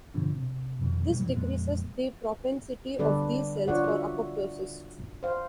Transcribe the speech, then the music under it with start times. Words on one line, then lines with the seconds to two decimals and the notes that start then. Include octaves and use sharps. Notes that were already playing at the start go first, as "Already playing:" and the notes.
This decreases the propensity of these cells for apoptosis.
0.14 G2 B2 D3 F3
0.35 C3
0.79 F2 B2 D#3
1.07 B1 B2 G3 A3
1.19 A#1 F2 A#2 E3
1.35 A#1 F2 G#3 B3
2.99 D3 G3 B3 A4 B4 D5
3.68 D4 F4 A#4 C#5 D5 F#5
3.84 F#4 E5
5.23 C5 F5